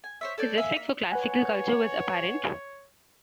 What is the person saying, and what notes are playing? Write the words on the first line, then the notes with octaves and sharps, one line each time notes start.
His respect for classical culture was apparent.
G#5
C5 C#5 E5
A4 C#5 D5 G6
E5 F5 G#5
A#3 E5
B4 C#5 F#5 G#5